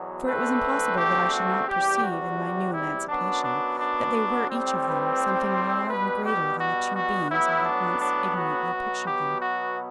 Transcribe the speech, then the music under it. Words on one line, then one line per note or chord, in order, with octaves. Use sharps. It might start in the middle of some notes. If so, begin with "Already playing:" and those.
For it was impossible that I should not perceive, in my new emancipation, that they were, each of them, something more and greater than the two beings I had once ignorantly pictured them.
Already playing: E2 B2 F#3
E2 D3 A3 C4 B4
G4
F#4
E2 C3 G3 G4
F#4
E4
F#2 F#3 B3 D4
D4
D4
A2 G3 C4
B4
C5
C5
B2 G3 B3 B4
G4
F#4
F#4
A2 F#3 B3 E4
D4
D4
F#4
B2 F#3 B3
G4
F#4